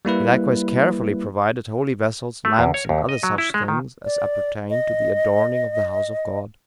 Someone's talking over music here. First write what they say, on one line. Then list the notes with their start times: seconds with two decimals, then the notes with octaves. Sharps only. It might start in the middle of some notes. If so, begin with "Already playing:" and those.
He likewise carefully provided holy vessels, lamps, and other such things as appertain to the adorning of the house of God.
0.05 G3 A#3 E4 B4
2.45 A3
2.59 E2
2.74 C#5
2.89 D#2
3.09 D#5
3.23 F#3
3.38 E4
3.54 G#3
3.68 D#3
4.05 D5
4.70 D#5